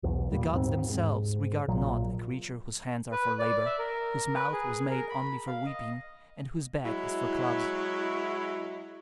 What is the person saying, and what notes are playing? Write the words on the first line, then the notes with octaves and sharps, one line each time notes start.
The gods themselves regard not a creature whose hands are for labor, whose mouth was made only for weeping, and whose back is for clubs.
B1 E2
A#2 G3
D#2 G#2 B3 C4
G#2
A#1 A#2 F#3
B4
D5
E5
A#4
B4
G#4
A#4
B5
F5
D#5
F#3 G#3 E4